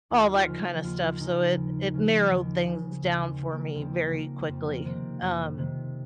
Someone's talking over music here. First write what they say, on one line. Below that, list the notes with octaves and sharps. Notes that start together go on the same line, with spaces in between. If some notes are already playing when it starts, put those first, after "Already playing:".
all that kinda stuff, so it it narrowed things down for me very quickly, um
D#2 F4
F4
C#3 F3
F#4
D#2 F4
C#3 F3 D#4
D#2
C#3 F3
D#2
C#3 F3
D#2 C#4
C4
C#3 F3
A#3
D#2 C4
C#3 F3 A#3
F2 C4
A#3
C3 D#3 C4
F2
C3 D#3